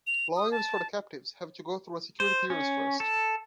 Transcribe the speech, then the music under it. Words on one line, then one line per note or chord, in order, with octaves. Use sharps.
Lawyers for the captives have to go through a security clearance first.
F7
D#6
A5
C5
C#4
A4